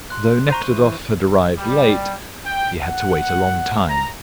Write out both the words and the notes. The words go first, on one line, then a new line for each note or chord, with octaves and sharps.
Though Nekhludoff had arrived late, he had to wait a long time.
C6 F#6
C5 A#5 C#6 D#7
E3 C5
G3
G5
F#5
A#5